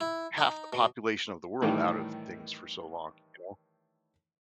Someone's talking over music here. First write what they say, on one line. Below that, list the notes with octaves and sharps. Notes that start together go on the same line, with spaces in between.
half the population of the world out of things for so long, you know?
E4
D#4
B2
A2 D#3 E3 G3